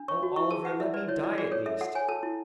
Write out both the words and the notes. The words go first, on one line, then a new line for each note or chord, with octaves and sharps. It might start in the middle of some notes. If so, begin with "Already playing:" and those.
Oh, Oliver, let me die at least!
Already playing: D4
C#5 C#6
F#4
E4 C#6
G#4 A5
B4 F#5
E4 E5
B4 D5
E4 C#5
E4 D5
G#4 D5
A4 C#5
A4 E5
A4 F#5
C#5 G#5
A4 A5
E4